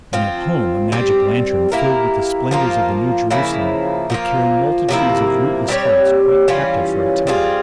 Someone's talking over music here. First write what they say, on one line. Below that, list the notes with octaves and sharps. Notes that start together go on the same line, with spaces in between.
And at home a magic-lantern filled with the splendours of the New Jerusalem would carry multitudes of rootless hearts quite captive for a time.
F3 C4 F4
G3 C4 G4
A#3 E4 G4 A#4
F3 A#3 F4
C#3 F3 A#3 E4
F3 A#3 F4
C3 F3 A#3 E4
G3 C4 G4 C#5
E3 G3 C#4 F4
G3 C4 F4 G#4